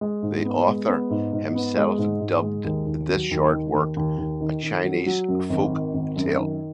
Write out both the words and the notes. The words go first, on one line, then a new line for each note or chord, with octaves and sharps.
The author himself dubbed this short work "A Chinese Folk Tale".
G#3
G#2
B3
G#3
B3
G#2
G#2
B3
G#3
G#2
G#2
G#3
D#2
D#2
F#3
D#2
D#3
D#2
D#2
D#2
D#3
D#3
F#3
F#3
F#2
G#1
D#3
G#1
F#2
D#3